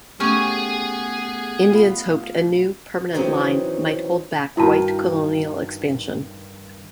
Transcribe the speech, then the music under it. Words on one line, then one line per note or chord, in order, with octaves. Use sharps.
Indians hoped a new, permanent line might hold back white colonial expansion.
A3 B3 C#4 G4 G#4 G#5
F4 F5 B5
D#3 E3 F#3 C4 C#4 D#4
G2 D#3 E4 F#4 A5